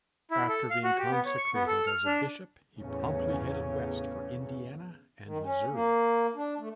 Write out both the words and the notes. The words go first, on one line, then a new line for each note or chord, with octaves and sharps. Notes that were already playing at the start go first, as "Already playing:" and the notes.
After being consecrated as a bishop he promptly headed west for Indiana and Missouri.
E4
A4
F5
F#4
G4
B3
C#5
C#6
B3
A4
F6
D4
E2 A2 C#3 C#4
D#3
C#4
A#3
D4
A3